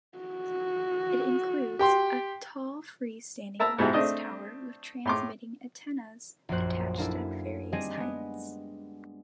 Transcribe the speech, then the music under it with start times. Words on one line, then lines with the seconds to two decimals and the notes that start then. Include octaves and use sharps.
It includes a tall free-standing lattice tower with transmitting antennas attached at various heights.
0.18 F#4
1.79 G4 G5 C6
3.59 A#4 E5 A5 A#5 E6
3.78 G#2 B2 G#3 E4 G4
3.94 A3 C4 D4 D#5
5.05 A2 C6 D6
6.49 A#1 F#2 F#4 C5 F#6
6.98 A#3 D4 E4 A4
7.73 G3 C4 D4 G#4 D#5
7.97 G#3 B3